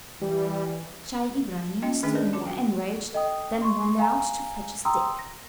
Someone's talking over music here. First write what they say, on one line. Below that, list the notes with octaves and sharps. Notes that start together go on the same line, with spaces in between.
Scheih Ibrahim, still more enraged, then went out to fetch a stick.
E3 G3
C#4 F4 D#5 G5 A5
D#3 A3 C#4 D4 G#4 B4
B4 C5 D5 D#5 A5
F4 A5 D6
F#4 F5 G5
A4 D#5 G5 D#6
C6 C#6
F5 G#5 A#5
G5 A#5 C6 D#6 E6
A#6